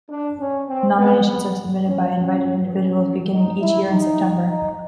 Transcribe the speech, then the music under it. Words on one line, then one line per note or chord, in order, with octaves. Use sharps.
Nominations are submitted by invited individuals beginning each year in September.
D4
C#4
C4
B3
B3
C#4
C#4
C#4
D#4
E4
D#4
D#4